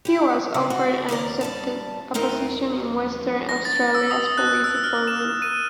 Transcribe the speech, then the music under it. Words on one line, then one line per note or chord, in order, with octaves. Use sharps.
He was offered and accepted a position in Western Australia's police department.
E4 G4
C#3 G3
D4 F#4
D#2 C#3 A#4 D5
G3 D5 A5
B3 C4 D#4 A#4 E5
A#6
A6
E6
D#6
F#6
E6
F6
E7
D#7